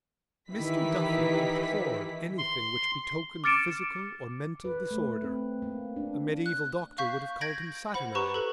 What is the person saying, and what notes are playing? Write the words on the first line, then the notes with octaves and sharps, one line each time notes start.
Mr. Duffy abhorred anything which betokened physical or mental disorder. A mediaeval doctor would have called him saturnine.
D#3 E3 E4 G4 B4 B6
C6
D6 F6 A6 C#7 D7 E7
B4
A3
C4
A#3
D4
F#6
F5 C#6 G6 B6
G6 G#6 A#6 D7 F#7
C5 F#5 B5
G4 B4 A#5 C#6
A4 B4